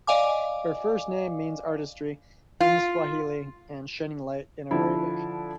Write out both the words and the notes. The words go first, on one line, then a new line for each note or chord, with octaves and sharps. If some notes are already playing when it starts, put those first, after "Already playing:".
Her first name means "artistry" in Swahili and "shining light" in Arabic.
D5 D#5 F5 G#5 D6
F4
D3 F3 E4